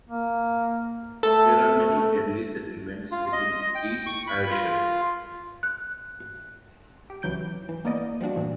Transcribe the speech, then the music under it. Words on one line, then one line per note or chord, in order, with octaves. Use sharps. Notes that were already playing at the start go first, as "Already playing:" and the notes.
There are many early settlements within East Ayrshire.
A#3
A3 A4
F4
D#5
G5
C#6
B5
F4
F#6
G4
C#2 E3 F#3 G6 D7
E3
A#3 B3 D5 D#5
F3 G3 D4 F#4
A#2 E3 F3